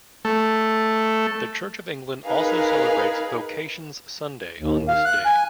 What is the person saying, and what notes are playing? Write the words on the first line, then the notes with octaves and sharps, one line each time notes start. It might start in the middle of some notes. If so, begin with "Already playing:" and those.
The Church of England also celebrates Vocations Sunday on this day.
A3
D#4 G#4 A#4 B4 F5
D#2
F5
F#6
G#5